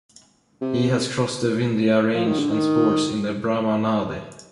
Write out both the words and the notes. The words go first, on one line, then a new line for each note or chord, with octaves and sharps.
He has crossed the vindya range and sports in the Brahma Nadi.
C3
F3
D#3
D3
D#3